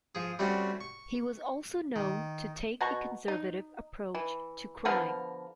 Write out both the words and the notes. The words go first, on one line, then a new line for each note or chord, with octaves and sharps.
He was also known to take a conservative approach to crime.
F3 G#4
G3 A3 C4 C#4 F#4
C#6
D#3
B2 F#4 A#5 C#6
D#4
E3
D3 F3 B3 A#4